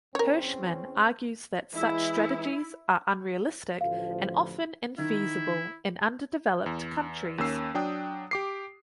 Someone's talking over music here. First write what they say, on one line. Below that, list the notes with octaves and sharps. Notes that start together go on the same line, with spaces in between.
Hirschman argues that such strategies are unrealistic and often infeasible in underdeveloped countries.
E2 C4 C#4 A#4 C#5
E3 G#3 E4
A1 D2 F3 F5
D#3 E4
E2
D#2 A#3 C#4 E6 C7
F#3 D4 G5 D#6
G4 D6 C7